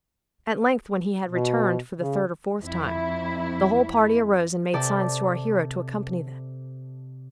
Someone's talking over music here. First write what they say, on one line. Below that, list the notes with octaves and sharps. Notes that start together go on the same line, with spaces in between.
At length, when he had returned for the third or fourth time, the whole party arose and made signs to our hero to accompany them.
B2
C#3
F2 E4
C3 A4 D5 D6